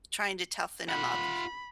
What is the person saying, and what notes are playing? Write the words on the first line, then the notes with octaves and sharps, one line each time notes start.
trying to toughen him up.
F4 F#5 B5